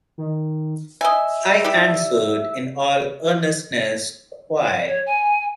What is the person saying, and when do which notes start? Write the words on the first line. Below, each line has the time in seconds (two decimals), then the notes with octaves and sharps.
I answered in all earnestness, "Quite."
0.18 D#3
1.01 D#5 E5 G#5
1.64 G3 E4 G4
4.86 C#5
5.06 G#5